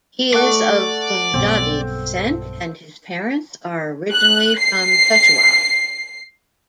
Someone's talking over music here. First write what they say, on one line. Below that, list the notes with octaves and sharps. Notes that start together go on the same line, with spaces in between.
He is of Punjabi descent and his parents are originally from Peshawar.
A3 D5 F#5
B1 G2 C4
F#6
C7